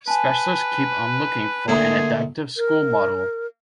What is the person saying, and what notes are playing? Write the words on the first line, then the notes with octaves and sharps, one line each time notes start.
Specialists keep on looking for an adaptive school model.
B4 G#5 A5
D2 A#2 E4 G#4
A#4